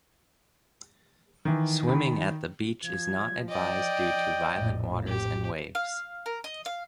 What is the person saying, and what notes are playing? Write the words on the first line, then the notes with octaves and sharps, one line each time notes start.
Swimming at the beach is not advised due to violent waters and waves.
D#3 E3
D#3 B5
F3 G#6
D5 D#5 G5
A#1 F2 A2
G4
F5
A#4
D#5
F5